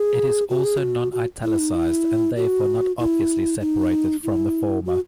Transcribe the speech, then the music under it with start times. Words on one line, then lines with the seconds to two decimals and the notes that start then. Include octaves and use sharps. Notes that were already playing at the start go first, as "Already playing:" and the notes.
It is also non-italicized and therefore not obviously separated from the former.
Already playing: G#4
0.50 F#4
0.64 G#4
0.78 F#4
1.12 F#4
1.43 E4
1.59 D#4
1.75 E4
2.36 F#4
2.99 E4
3.60 D#4
4.23 E4
4.86 F#4